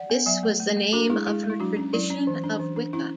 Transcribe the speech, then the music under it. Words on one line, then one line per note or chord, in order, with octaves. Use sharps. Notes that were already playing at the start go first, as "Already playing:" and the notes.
This was the name of her tradition of Wicca.
Already playing: D5 F#5
B3
F#3 E5 G#5
A3
A3
A3
D4 F#4 A4
G#3 E4 G#4
G#3 E4 G#4
G#3
E4
F#3 D4 F#4
C#4
F#3 E4
C#4
E3
D4
E3
D4
C#4 E4